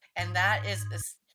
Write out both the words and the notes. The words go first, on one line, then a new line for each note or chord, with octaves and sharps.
And that is a s
G#2